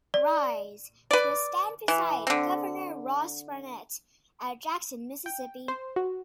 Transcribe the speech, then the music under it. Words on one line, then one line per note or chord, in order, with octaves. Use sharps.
Rise...to a stand beside Governor Ross Barnett at Jackson, Mississippi!
D5
B4 D5
E3
D3 C4
G5
C5
F#4